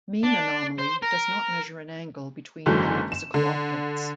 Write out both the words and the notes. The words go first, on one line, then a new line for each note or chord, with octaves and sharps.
Mean anomaly does not measure an angle between any physical objects.
D4
C5
A#4
F#1 G#2 D3 E3 F#3
E7
D3